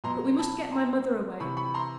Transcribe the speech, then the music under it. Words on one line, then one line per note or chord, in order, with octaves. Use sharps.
But we must get my mother away.
B2 F#3 A#5 C6
A5 B5
A#5 C6
C3 E3 B5 C#6
B5 C#6
A#5 C6